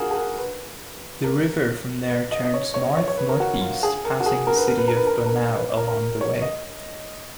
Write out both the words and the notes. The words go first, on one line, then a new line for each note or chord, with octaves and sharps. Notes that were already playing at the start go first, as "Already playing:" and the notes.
The river from there turns north-northeast passing the city of Bonao along the way.
Already playing: F4 F#4 G#4 A#4
G#4
A#4
B4
A#4
B4
D#5
D#5
C#5
C#5
C#5
C#5
B4
A#4
F#4
F4
G#4
A#4
F#4
G#4
A#4
B4
A#4
B4
A#4
B4
A#4
B4
A#4
B4
A#4
A#4
C#5
D#5